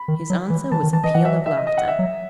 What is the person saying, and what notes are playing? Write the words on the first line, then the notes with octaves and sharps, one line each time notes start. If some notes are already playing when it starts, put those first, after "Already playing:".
His answer was a peal of laughter.
Already playing: B5
D#3
F#3
E3
E3 A5
D#3
E3 A5
E3 D#5
E3 F#5
E5
E5
D#5
D#5
F#5
E5
F#3